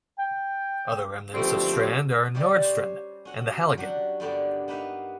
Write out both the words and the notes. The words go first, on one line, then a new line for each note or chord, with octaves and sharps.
Other remnants of Strand are Nordstrand and the Halligen.
G5
B2 D3 F3 G3 A3 C4
C3 G3 C#4 G4 D5 F5
C5 C#5
C#4 F#4 F#5
F#3 D4 F#4 G4
G2 D3 A#3 B3 G4 D5
A#3 B3 D#4 B4 E5 F5